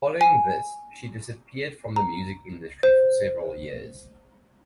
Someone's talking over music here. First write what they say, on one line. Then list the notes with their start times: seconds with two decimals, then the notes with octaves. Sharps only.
Following this, she disappeared from the music industry for several years.
0.21 G#5
1.96 A#5
2.83 C5